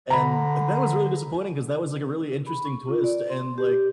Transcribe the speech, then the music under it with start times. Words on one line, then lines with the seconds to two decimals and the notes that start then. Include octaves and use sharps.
and, like, that was really disappointing 'cause that was, like, a really interesting twist, and, like,
0.10 D3 A#5 B5
2.47 B5
2.65 C#6
2.88 F4
3.04 D5
3.30 C6
3.58 G4